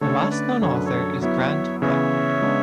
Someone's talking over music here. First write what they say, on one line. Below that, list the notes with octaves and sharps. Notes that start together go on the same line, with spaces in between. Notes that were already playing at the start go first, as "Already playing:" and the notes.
The last known author is Grant Blackwood.
D3 A3 C#4 A4 C#5
B4 D5
F#2 D3 F#3 C#5
B4
A4 C#5
F#3 B3 E4 C#5 E5
C#3 E3 B3 C#5 E5
C#3 G#3 B3 D4